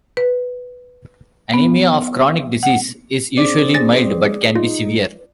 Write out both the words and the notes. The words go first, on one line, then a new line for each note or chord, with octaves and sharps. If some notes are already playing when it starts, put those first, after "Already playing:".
Anemia of chronic disease is usually mild but can be severe.
B4
B3
F#5
C4 G#4 D5
C#4 A6 A#6
D#4 F4